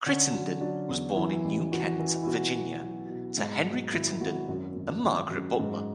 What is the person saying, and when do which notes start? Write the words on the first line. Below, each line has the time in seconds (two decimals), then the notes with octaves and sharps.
Crittenden was born in New Kent, Virginia, to Henry Crittenden and Margaret Butler.
0.06 D3 C#4
0.34 F#3
0.61 F#3 D4
0.89 E2
1.16 E3 E4
1.44 A1
1.72 E3 F#4
2.00 E3
2.23 E4
2.27 B2 F#4
2.55 B1
2.83 F#3
3.10 B2
3.38 G#2
3.66 F#3
3.93 G#1 E4
4.21 G#1 F#4
4.49 F#2
4.75 G#1
5.03 G#1
5.31 F#2
5.59 G#2